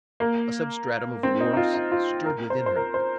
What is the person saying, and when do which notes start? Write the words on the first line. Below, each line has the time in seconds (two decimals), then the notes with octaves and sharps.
A substratum of war stirred within her.
0.20 A#3
1.23 C4
1.40 D#4
1.53 D#4
1.57 F4
1.74 D#4
1.92 F4
2.26 A#4
2.50 C5
2.66 C5
2.76 A#4
2.94 C5